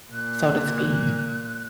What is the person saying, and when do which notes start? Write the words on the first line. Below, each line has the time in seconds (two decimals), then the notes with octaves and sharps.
so to speak,
0.12 A#2 F#6